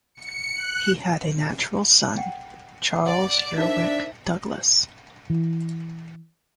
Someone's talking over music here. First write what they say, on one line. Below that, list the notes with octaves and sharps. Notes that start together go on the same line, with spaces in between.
He had a natural son, Charles Eurwicke Douglas.
C#7
F#6
F#5 G5
D5 F#5
D4 D#4 A#4 C5 E5
E3